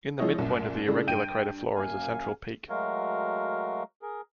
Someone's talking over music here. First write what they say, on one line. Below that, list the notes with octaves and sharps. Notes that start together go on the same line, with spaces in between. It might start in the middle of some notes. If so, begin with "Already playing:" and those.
In the midpoint of the irregular crater floor is a central peak.
F3 G#3 E4 C#5 D#5
C2 F#2 A#2
C#3 G#3 A3 D4 E4
G2 G5 G6 D7 D#7
F#2 A#3 F5 G#5
F#3 G#3 A3 F#4 A#4 F5
G#4 A#4